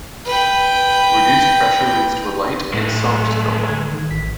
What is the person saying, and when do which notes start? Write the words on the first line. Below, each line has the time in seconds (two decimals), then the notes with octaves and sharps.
Reduced pressure leads to a light and soft snowball.
0.25 B4 G5
2.74 A2 G#3 A3
3.68 D3 G#6
3.92 D#3
4.11 A1 B6